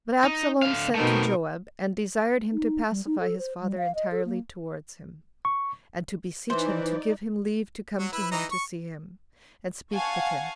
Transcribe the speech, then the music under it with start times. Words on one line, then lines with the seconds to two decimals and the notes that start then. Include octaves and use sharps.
But Absalom sent to Joab, and desired him to pacify his father entirely towards him; and to beseech him to give him leave to come to him to see him, and speak with him.
0.24 D#4
0.62 D3 F5
0.95 B2 A3 C4 D#4 A#4
2.53 D#4
2.91 G3
3.06 D#4
3.20 A4
3.39 C5
3.61 G3
3.78 F5
3.95 D#5
4.11 A4
4.26 A#3
5.45 C#6
6.50 E3 D#4 C5 D5
7.99 F#3 F#4
8.13 E4 B4
8.32 E3 D#4 A#5
8.51 C#6
9.93 F5 F#5 G#5 A5 C#6